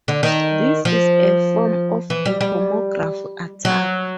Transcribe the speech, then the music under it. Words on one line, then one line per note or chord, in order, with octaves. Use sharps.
This is a form of a homograph attack.
D3
D#3
F3
E3
G3
G3
F#3